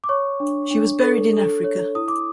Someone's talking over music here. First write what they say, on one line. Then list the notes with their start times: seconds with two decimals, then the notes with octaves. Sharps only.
She was buried in Africa.
0.04 D6
0.09 C#5 C#6
0.40 D4
0.71 D4
1.02 A4
1.33 A4
1.64 C#5
1.95 E4 D#6
2.08 D6